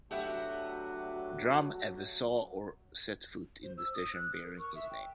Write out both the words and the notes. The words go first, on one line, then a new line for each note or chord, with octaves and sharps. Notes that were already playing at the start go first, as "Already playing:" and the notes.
Drum ever saw or set foot in the station bearing his name.
F#3 A3 B3 D4 F#4 G4 E5 G5
C5
E6
D#6
F#6
A#4
C#6
E5
G5